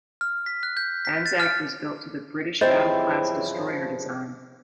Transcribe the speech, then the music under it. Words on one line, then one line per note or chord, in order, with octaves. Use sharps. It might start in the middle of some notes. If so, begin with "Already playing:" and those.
"Anzac" was built to the British Battle class destroyer design.
F6
B6
F#6
G6
B6
A6
F6
G2 C#3 E3 F3 C4 E4 C5 D#5